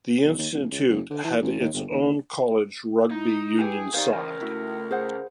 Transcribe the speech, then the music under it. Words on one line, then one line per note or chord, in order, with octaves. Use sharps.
The Institute had its own college rugby union side.
B1
D#2
D1
C#2
F#1
D3
E3
A1
D#2
G1
D#2
D#2
D#4 E4
E4 G4 G#4 B4
D#3 G4 C5 D5 F5
C#2 E3 A#4
A3 E4 F#4
G#4 C5 F#5